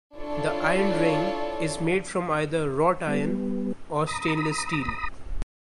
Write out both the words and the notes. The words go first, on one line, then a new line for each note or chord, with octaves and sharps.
The Iron Ring is made from either wrought iron or stainless steel.
D4 E4 F4 A4 C#5 D5
G3 B3
A#5 B5 D#6